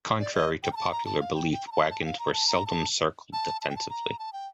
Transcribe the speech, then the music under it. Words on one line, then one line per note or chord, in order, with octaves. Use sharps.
Contrary to popular belief, wagons were seldom circled defensively.
D5
D#5
G5
A#5
A5
A#5
A5
F5
G5
G5
A#5
A5
A5
G5
F5
A#5
A5
A#5
A5
A5
A5
G5
A5
A#5
A5
G5